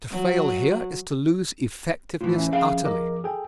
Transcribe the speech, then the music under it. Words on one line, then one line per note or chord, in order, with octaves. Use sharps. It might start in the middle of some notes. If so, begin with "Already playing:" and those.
To fail here is to lose effectiveness utterly.
F#3
A2 E3 F4
C#4 E5
F2 G#4 F5
A#4 D#5 D6
G#4 A4 G5